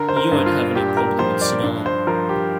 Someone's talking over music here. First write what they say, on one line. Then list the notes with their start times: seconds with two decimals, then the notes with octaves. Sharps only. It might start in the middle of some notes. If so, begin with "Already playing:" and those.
You won't have any problem with Saddam.
Already playing: D3 A#4
0.09 C5
0.16 A#4
0.31 G2
0.46 F4
0.75 A#2 G4
0.97 A#4
1.19 F3 C5
1.41 D5
1.63 G2
1.86 C5
2.07 F3 A#4
2.29 G4